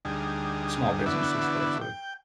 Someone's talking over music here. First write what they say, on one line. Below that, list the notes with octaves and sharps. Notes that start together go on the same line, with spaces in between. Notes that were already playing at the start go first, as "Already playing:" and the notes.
small businesses, especially.
D2 G3 D#4 G#4
D3 E3 B3 D4 E4 F#4
G5